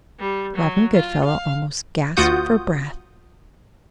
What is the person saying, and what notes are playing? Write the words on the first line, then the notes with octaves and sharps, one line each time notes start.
Robin Goodfellow almost gasped for breath.
G3
F#3
F4
F5
D2 F4 F#4 F#5 D#6 G6